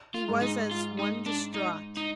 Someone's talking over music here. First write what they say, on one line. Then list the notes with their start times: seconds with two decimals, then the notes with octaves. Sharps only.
He was as one distraught.
0.14 F4
0.28 G#2
0.42 D#4
0.71 F4
0.99 D#4
1.26 D4
1.54 D#4
1.97 D#4